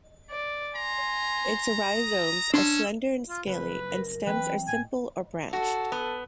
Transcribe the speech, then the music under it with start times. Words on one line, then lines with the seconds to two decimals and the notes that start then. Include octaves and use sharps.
Its rhizomes are slender and scaly, and stems are simple or branched.
0.30 D5
0.76 G#5 A#5 C6
1.95 D#6
2.54 C#4 D4 C6 E6
3.29 F4
3.46 F#1 F2 B4
3.91 A#4
4.26 E3 F#3 C4 B4 G5
4.68 A2 G#5
5.53 F#4 A4
5.92 B3